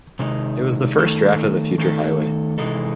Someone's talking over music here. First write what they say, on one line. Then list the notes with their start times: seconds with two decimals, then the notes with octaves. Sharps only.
It was the first draft of the future highway.
0.19 C3 D#3 G#3 D#4
0.98 D#3 A3 D#4 A4
1.78 D#3 A3 D#4 A4
2.58 C3 E3 G#3 D#4 A4